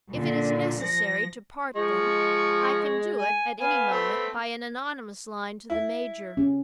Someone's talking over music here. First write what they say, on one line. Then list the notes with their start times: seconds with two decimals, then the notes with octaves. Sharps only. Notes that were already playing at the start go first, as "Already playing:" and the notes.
If it is necessary to part them, I can do it at any moment by an anonymous line to the major.
0.12 A#2 D3
0.78 F3 A#6
1.75 F3 G#3 C#6
3.18 G#5
3.60 B3 F5 G#5
3.91 A3 C4
5.70 E4
6.37 C#4